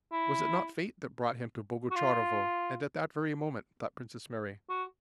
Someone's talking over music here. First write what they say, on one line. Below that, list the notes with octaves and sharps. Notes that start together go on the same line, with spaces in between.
"Was it not fate that brought him to Bogucharovo, and at that very moment?" thought Princess Mary.
E4
F#4
F4
F#4